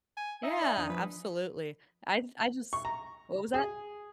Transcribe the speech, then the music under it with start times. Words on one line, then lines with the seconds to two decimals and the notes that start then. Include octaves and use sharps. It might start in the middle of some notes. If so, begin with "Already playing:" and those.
Yeah. Absolutely. I th I just What was that?
0.17 G#5
0.43 D#4 E5
0.62 D5 E5 G#5
0.77 F2 D4 D#6
0.90 F3 B4
2.73 C#6
2.85 A#5
3.54 G#4